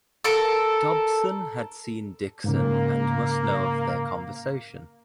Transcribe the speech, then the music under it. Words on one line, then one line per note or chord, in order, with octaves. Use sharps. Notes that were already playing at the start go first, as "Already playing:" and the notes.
Dobson had seen Dixon and must know of their conversation.
A4 A#4
G#2 C#3 A#3